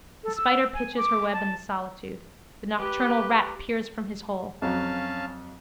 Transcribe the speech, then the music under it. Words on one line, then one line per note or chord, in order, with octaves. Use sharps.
The spider pitches her web in the solitude. The nocturnal rat peers from his hole.
A4
E6
G#5
D6
A5
G4 B4
F2 F#3 C#4 F5 A5